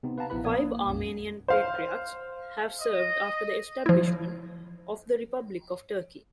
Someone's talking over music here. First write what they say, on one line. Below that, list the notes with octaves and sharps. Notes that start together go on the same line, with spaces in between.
Five Armenian Patriarchs have served after the establishment of the Republic of Turkey.
C3 B3 C4 D#4
B4 F5 F#5 A5 A#5
A#1 B3 E4 B4 B5
A#1 B3 D5 D#6 G#6
A#3
B1 F#2
C5 F5
D#5
F3 E4